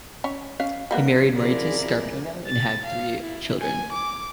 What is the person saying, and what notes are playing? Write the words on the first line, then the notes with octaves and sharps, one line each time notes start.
He married Marita Scarpino and had three children.
C#4 C#5
C#4 F5
G3 A#3 B3
F3 C4 E4 G#4 A#4 D5
A6
F5
E4
G#5
D6